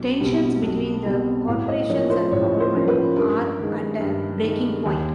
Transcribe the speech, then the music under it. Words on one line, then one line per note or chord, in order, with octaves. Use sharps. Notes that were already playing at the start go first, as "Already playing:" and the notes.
Tensions between the corporations and government are at a breaking point.
Already playing: B1
B2 G3 C4
B1
B2 G3 C4
A2 F5
D#5
F3 A#3 C#4 C#5
C5
A2 C#5
C5
F3 A#3 C#4
B4
G2 A#4
D#3 G#3
G2
D#3 G#3
D#2